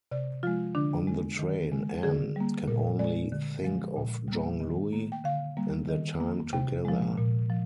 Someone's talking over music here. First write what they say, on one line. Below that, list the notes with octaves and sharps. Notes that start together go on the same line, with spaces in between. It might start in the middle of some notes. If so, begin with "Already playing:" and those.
On the train Anne can only think of Jean-Louis and their time together.
C3 D5
F3 G#3 F4
D3 D4
G#3
D#3
G#3
D3 G#4
G3 A#3
A#2 A#4
G#3 D5
D3
F3 G#3
A#2
G3 A#3
D#3
A#3
G5
D3 F5
G3 A#3
D#3
A#3
C3 G5
F3 G#3
A#2
F3